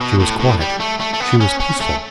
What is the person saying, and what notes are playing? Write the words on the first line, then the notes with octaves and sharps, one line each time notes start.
She was quiet, she was peaceful.
B2
A2
A2
G3
A3
A3
A3
B3
C#4
C#4
A3